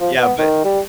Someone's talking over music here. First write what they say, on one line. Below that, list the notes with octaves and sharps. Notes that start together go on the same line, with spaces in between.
yeah, but
F3
B3
D#3
G3